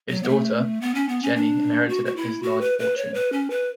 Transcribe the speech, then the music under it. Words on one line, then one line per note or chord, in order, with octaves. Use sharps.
His daughter, Jennie inherited his large fortune.
F#3
B3
A3
B3
C#4
B3
C#4
D4
F#4
F#4
E4
F#4
B4
B4
C#5
B4
C#4
B4